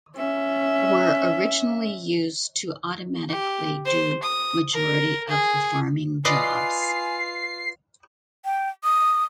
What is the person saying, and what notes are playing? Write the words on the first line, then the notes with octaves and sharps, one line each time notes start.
Were originally used to automatically do majority of the farming jobs.
C#4 E5
G4
C5
D#6
A#4
G#4
F4 B4 D5 D#5 G#5 C7
G5
D#6